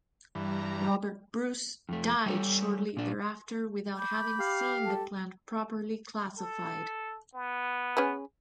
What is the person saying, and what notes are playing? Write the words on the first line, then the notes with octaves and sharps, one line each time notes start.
Robert Bruce died shortly thereafter, without having seen the plant properly classified.
G2 E3 G3 A#5
F2 A3
G3 A4 C#5
A#2 D4
B5 D6 G6
G4 F5
A4
A4
B3
C#4 G#4 B4